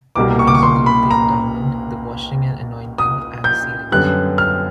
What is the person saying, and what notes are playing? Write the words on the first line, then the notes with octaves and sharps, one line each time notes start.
These include the endowment, the washing and anointing, and sealings.
C2 B2 G3 A#3 D6
C#6
D6
C#6
C6
B5
A#5
D#6
G6
F#2 D3 G3 B3 F#6
F6